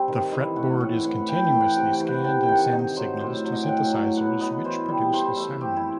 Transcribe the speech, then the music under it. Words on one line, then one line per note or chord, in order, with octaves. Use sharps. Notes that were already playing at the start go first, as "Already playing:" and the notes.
The fretboard is continuously scanned and sends signals to synthesizers which produce the sound.
Already playing: G3 C4 C5
D#3
E3 D#5
A3 F#5
A2 F#5
E3 F#5
E3 G5
G5
A3
F#5
C3 G5
G5
E3
F#5
C3 G5
G5
D#3 F#5
D#3 D#5
F#3 C5
A2 C5
F#3
D#5
G5
A2 F#5
F#3
B3 F#5
B3 D#5
E3 C5
G3
E3 C5
A3 E5
C4 G4
E4